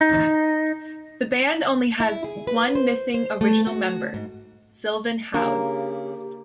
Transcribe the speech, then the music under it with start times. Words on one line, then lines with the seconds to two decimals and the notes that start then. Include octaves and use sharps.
The band only has one missing original member, Sylvain Houde.
0.01 D#4
2.00 E4
2.24 G#4
2.47 B4
2.75 C5
3.14 C5
3.41 A3
3.67 F#4
4.14 G#2
5.34 C#3 A#3 D4 G4